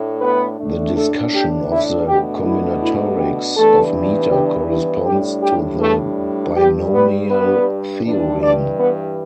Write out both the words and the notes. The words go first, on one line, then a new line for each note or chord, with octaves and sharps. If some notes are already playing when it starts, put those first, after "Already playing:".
The discussion of the combinatorics of meter corresponds to the binomial theorem.
Already playing: A2 A3 D4
B3 B4
A2 A3 D4
A3 A4
G4
E4
B2 A3 D4 G4
E4
E4
G4
G2 E3 A3 B3 D4 A4
G4
E4
A2 G3 D4 G4
G4
A3 A4
G2 G3 D4 G4
B3 B4
B3 B4
G2 E3 G3 D4
D4 D5
B3 B4